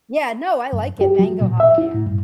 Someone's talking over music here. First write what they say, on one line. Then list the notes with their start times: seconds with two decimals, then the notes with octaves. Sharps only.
Yeah, no, I like it, Mango Habanero.
0.73 F#2
1.01 G4
1.19 F#3
1.41 A#2
1.60 E5
1.78 E4
1.94 A2
2.07 G2